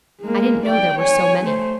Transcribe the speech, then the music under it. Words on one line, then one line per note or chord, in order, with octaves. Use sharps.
I didn't know there were so many.
G#3 A#3
D5 G5
C#5 G#5
A3 C5